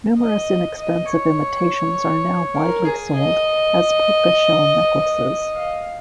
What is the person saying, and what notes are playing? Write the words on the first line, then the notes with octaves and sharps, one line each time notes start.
Numerous inexpensive imitations are now widely sold as puka shell necklaces.
D#5
D#5
C#5
A#4
G#4
D#5
F5